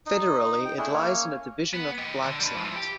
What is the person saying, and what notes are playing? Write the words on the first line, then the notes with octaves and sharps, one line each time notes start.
Federally, it lies in the division of Blaxland.
D#4
G5
A3 D4 E4 G#4
A#3 C#4 C#5
B3
G4 D#5
D3
G3 B4
E3 F3
G4